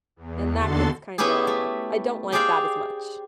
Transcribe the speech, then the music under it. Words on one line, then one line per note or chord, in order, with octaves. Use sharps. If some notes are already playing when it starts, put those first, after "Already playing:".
and that gets kinda I don't like that as much.
E2
D#2 D3 F#4 A4 C6 A6
B3 C#4 E4 G4 G#4
A3
G4 G#4 C5 D5 F5 G5